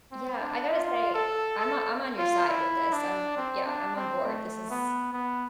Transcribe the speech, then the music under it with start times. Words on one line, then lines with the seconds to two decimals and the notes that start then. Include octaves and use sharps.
Yeah, I gotta say, I’m o I’m on your side with this. I’m yeah, I’m on board. This is
0.12 C4
0.41 D4
0.70 F4
1.14 A4
1.59 A4
2.18 F4
2.48 E4
2.93 D4
3.37 C4
3.66 D4
3.96 C4
4.25 A3
4.70 B3
5.13 B3